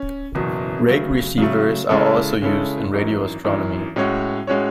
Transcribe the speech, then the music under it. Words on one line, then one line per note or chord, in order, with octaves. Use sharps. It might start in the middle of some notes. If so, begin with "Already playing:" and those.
Rake receivers are also used in radio astronomy.
Already playing: C#4
F#1 E2 B2 F#3 C#4
C#3 F#3 A3
C#3 F#3 A3
C#3 G#3 C#4 E4 A4
C#3 G#3 C#4 E4 A4
G#1 F#2 E3
G#1 F#2 E3
A2 G#3 C#4 F#4 C#5
A2 G#3 C#4 F#4 C#5